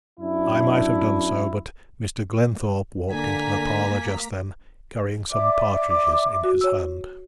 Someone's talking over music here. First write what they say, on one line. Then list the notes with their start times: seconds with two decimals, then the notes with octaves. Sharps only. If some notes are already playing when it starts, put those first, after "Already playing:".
I might have done so, but Mr. Glenthorpe walked into the parlour just then, carrying some partridges in his hand.
0.20 F#2 D4 E4
3.12 D3 A#3 G#5 A#5 B6
5.31 D5 E5 D6
6.44 F#4
6.61 C#5 E6